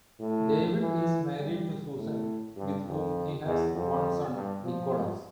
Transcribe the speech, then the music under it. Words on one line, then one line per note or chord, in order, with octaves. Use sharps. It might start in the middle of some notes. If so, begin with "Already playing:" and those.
David is married to Susan, with whom he has one son, Nicholas.
A2
E3
G3
A2
G2
F2
E2
F2
G2
F3